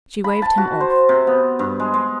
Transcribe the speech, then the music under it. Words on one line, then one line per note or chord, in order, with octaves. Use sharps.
She waved him off.
B5
A5
F#4
C5
C3
B3
G2
G#3
G#3